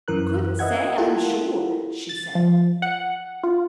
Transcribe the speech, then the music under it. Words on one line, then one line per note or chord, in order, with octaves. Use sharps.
"Couldn't say, I'm sure," she said.
F#2 E3 A#4 F#6
B4 D#5 E5 F#5 G#6
E4 F4 G4 A4 A#4 F#5
A6
F3
F#5
F4